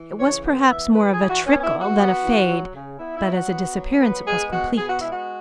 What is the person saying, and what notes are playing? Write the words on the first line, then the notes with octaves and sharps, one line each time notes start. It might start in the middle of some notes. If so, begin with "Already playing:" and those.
It was perhaps more of a trickle than a fade, but as a disappearance it was complete.
Already playing: E3
C#3 C#5
B3
E3 E5
G#3 B4
G#4
E3
F#4
B3 C#4
C#4
E4
E3
F#4
B3
E3
F#3
C#3
B3 E4
E4
F#3
F#4
B3
F#3
B3 B4
G#3 G#4
B2 F#4
B3 G#4
F#4
G#3 E4
F#4